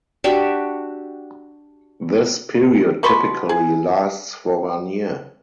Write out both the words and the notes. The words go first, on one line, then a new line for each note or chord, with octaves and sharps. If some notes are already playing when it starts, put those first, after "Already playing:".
This period typically lasts for one year.
D4 F#4 G4 E5
B2 F#4 B4 C6
G#4